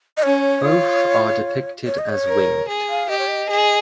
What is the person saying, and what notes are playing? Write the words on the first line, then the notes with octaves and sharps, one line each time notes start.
Both are depicted as winged.
D#5
C#4 C#5
F4
C#5
D#5
C#5
A#4
G#4
F5
G4 D#5
C#5
D#5
G#4